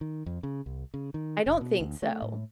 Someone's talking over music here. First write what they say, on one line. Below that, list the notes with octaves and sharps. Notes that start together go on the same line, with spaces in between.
I don't think so.
D#3
F2
C#3
C2
C#3
D#3
F#1
B2
D2
A3
A2